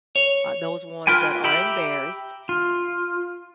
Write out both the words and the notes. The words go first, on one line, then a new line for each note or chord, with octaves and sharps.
uh, those ones that are embarrassed,
C#5
F4 A#4 B4 G5 G#5
G4 E5 G5 A#5 B5
F4